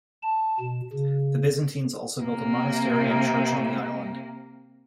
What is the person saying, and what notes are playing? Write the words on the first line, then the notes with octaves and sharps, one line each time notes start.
The Byzantines also built a monastery and church on the island.
A5
B2
C#3
C3 A#3